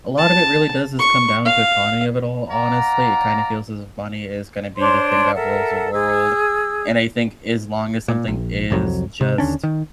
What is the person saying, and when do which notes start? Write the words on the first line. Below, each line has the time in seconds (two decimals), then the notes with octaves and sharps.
a lot of it really does just come down to economy of it all, honestly. It kinda feels as if money is gonna be the thing that rules the world. And I think as long as something is just
0.18 A5
0.99 C#6
1.46 F5
2.50 D5 F5 F#5 A#5
4.77 D4 C5 C#5 C6
5.34 A4 A#4 E5 F#5
5.93 G#4 E6
8.08 A#2
8.28 A#1
8.70 C2 F2 F#3
9.21 C3
9.38 D#2 D3 C#4 D4
9.63 D#3